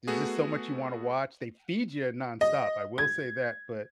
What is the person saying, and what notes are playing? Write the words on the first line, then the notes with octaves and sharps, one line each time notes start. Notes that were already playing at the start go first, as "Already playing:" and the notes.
there's just so much you wanna watch. They feed ya nonstop, I will say that, but
A3 B3 F#4 G#4
D#5
G#6